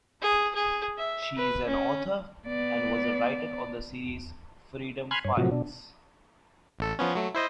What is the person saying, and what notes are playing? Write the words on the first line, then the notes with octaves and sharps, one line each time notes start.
She is an author, and was a writer on the series "Freedom Files".
G#4
G#4
E5
B4
C#4
B3 D5
G#5 B5 C6 F6 F#6 G#6
G2 C#5
A2 C3 F3 F#3 F#4
B2 D4
A1 A4
F3 B3 C#4
F#3 A3
E4 C5 D#5